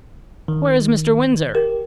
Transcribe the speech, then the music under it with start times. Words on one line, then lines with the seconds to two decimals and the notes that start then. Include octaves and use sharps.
"Where is Mr. Windsor?"
0.48 D#3
1.55 G4 A#4